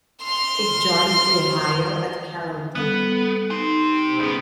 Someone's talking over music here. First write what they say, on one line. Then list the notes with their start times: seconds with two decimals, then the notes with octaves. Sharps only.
It joins the Ohio at Carrollton.
0.22 C6 F6
2.75 G3 B3 A4
3.50 D#4 G4 C5
4.19 C2 B3 C#4 G#4